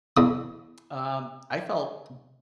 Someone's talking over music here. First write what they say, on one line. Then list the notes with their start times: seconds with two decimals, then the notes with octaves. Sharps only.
Um, I felt
0.17 E2 D#6